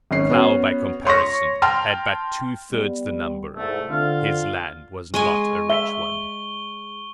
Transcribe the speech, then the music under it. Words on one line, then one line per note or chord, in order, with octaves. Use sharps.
Klow, by comparison, had but two-thirds the number; his land was not a rich one.
G#1 C#4 C7
B3 C#4 F#4
C#5 C6 C#6 A#6
G5 A5 C6 F6
G3 B3
C2 G#2 A3
D3 C4 F4
G#3 D#5 G#5 C#6
E5 G7